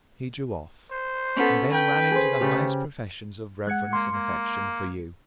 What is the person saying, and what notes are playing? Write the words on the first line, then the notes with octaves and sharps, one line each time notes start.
He drew off: and then ran into the highest professions of reverence and affection for you.
C5
B3 C#4 A4
B4 G5
G#4 C5
C#3 A3 G4
G#3 F#5 F#6 G#6 C#7
A#3 C6
A#3